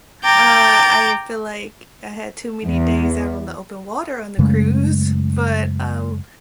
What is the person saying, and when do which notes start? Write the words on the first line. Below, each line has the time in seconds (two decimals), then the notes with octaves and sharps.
Uh, I feel, like, I had too many days out on the open water on the cruise, but, oh,
0.23 G5 A#5 D6 G6 A6
2.65 E2
4.39 F#2 C#3 G#3 A3